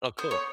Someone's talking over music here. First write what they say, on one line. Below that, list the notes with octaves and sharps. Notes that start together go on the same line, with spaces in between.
Oh, cool.
B3 C5
C#5